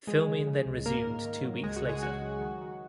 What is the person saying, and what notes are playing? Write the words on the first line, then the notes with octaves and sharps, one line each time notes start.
Filming then resumed two weeks later.
F3 G#3 G#4
C#3
C#3
C#2
G#2 A#3 A#4
D#3
D#3
F#3
C#2 G#3 G#4
F#4
C#3
G#3 G#4
F#3 F#4
F#3
D#3
D#3